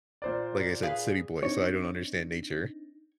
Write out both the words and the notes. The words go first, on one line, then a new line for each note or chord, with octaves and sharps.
Like I said, city boy, so I don't understand nature.
A#2 C5 D5
G#4 B4 F5
C4 D4 D#4 C#5